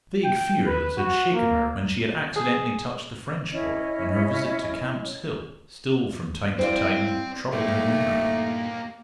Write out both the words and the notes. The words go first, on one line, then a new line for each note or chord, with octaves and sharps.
The vague fear that had shaken her when she had accidentally touched the French boy, on her visit to Camp's Hill, still from time to time troubled her memory.
G5
B4
F#4
A#3
G#4
C#4 E4 C#5 D#5
G3 C4 E4 C5 D5 F5
G2 A#2 A3 A#3 D#4 G4